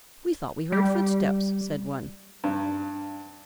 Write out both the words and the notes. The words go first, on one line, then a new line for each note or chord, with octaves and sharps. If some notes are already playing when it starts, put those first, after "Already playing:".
"We thought we heard footsteps," said one.
G3
G2